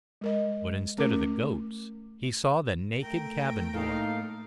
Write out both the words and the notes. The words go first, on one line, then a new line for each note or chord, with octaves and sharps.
But instead of the goats, he saw the naked cabin boy.
G#3 A#4 D#5
A3 C#4 A#4 D6
A3 A#4 G5
A2 A#3 D#4 A4 F5